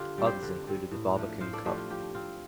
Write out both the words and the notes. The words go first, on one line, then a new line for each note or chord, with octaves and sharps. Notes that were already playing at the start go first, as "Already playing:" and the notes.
Others included the Barbican Cup.
Already playing: D3 F4 G4
G3 C4
G4 C5
D3
G3 C4
A2
F3 A3 D4
A2 C5 F5
A4 D5
F3 A3 D4 G4 C5
F4
F3 G4
C4 F4